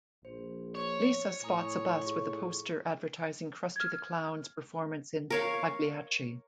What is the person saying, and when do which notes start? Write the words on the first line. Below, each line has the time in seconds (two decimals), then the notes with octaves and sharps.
Lisa spots a bus with a poster advertising Krusty the Clown's performance in "Pagliacci".
0.25 A#1 C5
0.75 C#5
1.43 A2 G#5 A#5 D#6
2.06 F4 G#4 C#6
3.76 F6 G#6
5.30 A#4 C#5 F5